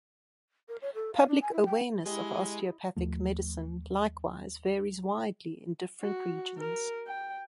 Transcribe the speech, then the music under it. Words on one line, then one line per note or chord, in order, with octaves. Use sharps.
Public awareness of osteopathic medicine likewise varies widely in different regions.
A#4
C#5
A4
F5
D4
G#5
E4
G5
G#3 E4 G4 D#5
D#2 F3 A3
F#4
A#4
G5